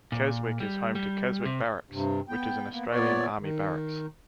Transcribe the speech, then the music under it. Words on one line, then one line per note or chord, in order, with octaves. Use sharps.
Keswick is home to Keswick Barracks, which is an Australian Army Barracks.
A#2
G3
G3
C3
G2 C3
B3 G5
A#3 B3
A#2 B3 C#5 D5
D#3